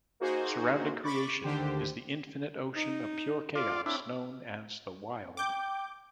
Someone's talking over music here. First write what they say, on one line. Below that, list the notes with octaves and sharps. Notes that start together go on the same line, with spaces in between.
Surrounding Creation is the infinite ocean of Pure Chaos known as the Wyld.
A#3 D#4 F#4 G#4 C5
B5 C#6 D6 A6
D2 D3 D#3 G4 C5
D#4
F4 D5
C4 D4 E4 C#5
G5 D6 G6